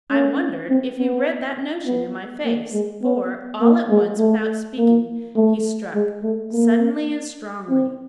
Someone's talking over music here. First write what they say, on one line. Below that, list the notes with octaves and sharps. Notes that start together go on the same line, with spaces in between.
I wonder if he read that notion in my face; for, all at once, without speaking, he struck suddenly and strongly.
C#4
C4
B3
B3
A#3
G#3
B3
A#3
G#3
A3
A#3
A3
G#3
A3
A#3
C4